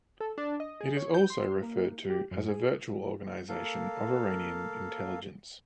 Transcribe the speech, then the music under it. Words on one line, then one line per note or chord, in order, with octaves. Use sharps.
It is also referred to as a 'virtual organization' of Iranian intelligence.
A4
D4
D#5
G#4
C#5
G6
C6
A#3
G4
F#2
G#4
A#3 A4 F5